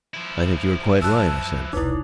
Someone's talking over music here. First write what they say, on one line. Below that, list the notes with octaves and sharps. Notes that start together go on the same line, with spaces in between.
"I think you are quite right," I said.
F3 E4
F#2 A5 E6 F#6
E1 C2 D#4 E4 B4